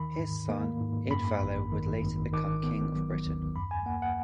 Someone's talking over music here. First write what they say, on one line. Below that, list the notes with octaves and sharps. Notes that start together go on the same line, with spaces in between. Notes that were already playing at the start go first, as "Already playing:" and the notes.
His son Idvallo would later become king of Britain.
Already playing: D#2 D#3 B5
G#2
A#3
G#2
F#2 B5
G#1
D#3
G#1
D#3 D6
B3
F#3
D#2
F#2 B5
G#5
A#3 F#5
F#5